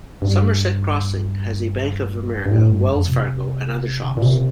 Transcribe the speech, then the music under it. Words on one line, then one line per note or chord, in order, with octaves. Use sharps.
Somerset Crossing has a Bank Of America, Wells Fargo, and other shops.
G2
G2
A2
G2
F2
C3
D3
A#2
C3